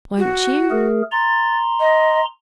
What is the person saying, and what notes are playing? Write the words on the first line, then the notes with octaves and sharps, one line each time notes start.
Won't you?'
F#4
A3 G#4 A#4
A#5 C6 A6
D#5